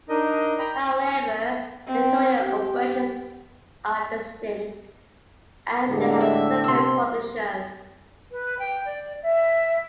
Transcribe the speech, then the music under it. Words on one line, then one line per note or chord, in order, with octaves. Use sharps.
However, their editorial operations are distinct and they have separate publishers.
D4 D#4 A#4 D#5
G5 A#5 B5
C4
G4
A2 D3 G#3 G4
E5
C3 C4 C6 E6
B4
G5
D5
E5